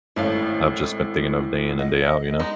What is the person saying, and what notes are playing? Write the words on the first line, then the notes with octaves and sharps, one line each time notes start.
I've just been thinking of day in and day out, you know?
G#1 A2 A3 C#4 F5
D#5 F#5
G#3 B3 D#4